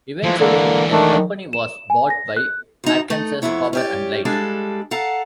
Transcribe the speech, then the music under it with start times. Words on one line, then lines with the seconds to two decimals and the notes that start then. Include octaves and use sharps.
Eventually, that company was bought by Arkansas Power and Light.
0.24 E3 F3 G#3
0.40 D3 A#3
0.92 D#3 A3 D4
1.53 E7
1.90 G#5
2.10 A#6
2.37 F#6
2.84 D2 D#4
3.10 A3 D#4
3.42 F2 C3 B3 E4 C#5
3.73 C#4 G4 D5
4.25 G3 G#3 D4 A4 F5
4.91 A4 F5 F#5 A#5